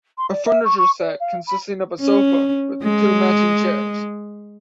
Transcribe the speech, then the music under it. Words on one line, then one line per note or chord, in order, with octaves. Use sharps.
A furniture set consisting of a sofa with two matching chairs.
C6
D5
E5
C#6
C#6
D5
F5
B5
C#4
G#3